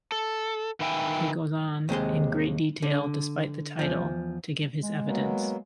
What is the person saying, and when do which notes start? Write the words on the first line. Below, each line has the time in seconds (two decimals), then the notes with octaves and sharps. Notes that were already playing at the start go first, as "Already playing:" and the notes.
He goes on, in great detail-despite the title-to give his evidence.
0.12 A4
0.80 D#3 B4 E5 G5 G#5
1.89 D#2 C3 G#3 C6
2.82 D3
3.79 E2 F3
4.82 G#3
5.04 F#3 A#3 B3